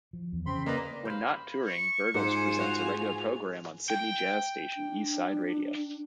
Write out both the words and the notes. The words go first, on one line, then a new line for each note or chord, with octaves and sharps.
When not touring, Bertles presents a regular program on Sydney jazz station Eastside Radio.
F3
E2
C#3 C4 B5 C6
A#3 B4 D5 D#5 A#5
C5 F5 B5
C#6 C#7
G#2 F4 G#4 C5 F#5 G#5
F#4 F7
G5
D4